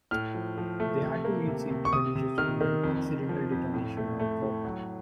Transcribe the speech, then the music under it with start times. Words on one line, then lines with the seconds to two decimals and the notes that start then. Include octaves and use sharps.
They had to meet safety conditions, to prevent accidental detonation or dropping.
0.11 A2 F6
0.35 F3
0.58 F3
0.80 A3
1.02 C3
1.24 A#3
1.47 C3
1.70 C3
1.85 C#6
1.93 C3 D#6
2.15 C3
2.38 D#3 F6
2.61 D#3
2.84 F2
3.06 F2
3.29 F3
3.52 F2
3.74 A2
3.97 A3
4.19 A3
4.42 A2
4.65 F#3